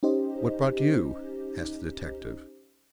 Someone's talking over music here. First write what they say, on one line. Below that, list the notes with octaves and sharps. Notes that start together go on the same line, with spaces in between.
"What brought you?" asked the detective.
C#4 D#4 G4 C5 D#5